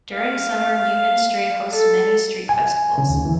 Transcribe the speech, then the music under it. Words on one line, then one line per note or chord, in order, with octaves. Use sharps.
During summer, Newman Street hosts many street festivals.
F5
A4
G#5
C#3
D#2
E3